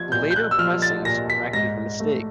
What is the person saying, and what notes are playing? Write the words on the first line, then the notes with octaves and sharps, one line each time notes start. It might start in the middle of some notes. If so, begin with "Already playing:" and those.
Later pressings corrected the mistakes.
Already playing: F3 G#6
A#2 G6
G6
F#6
E6
F3 F6
A6
A#2 A#6
B6
G#2 A#6
A3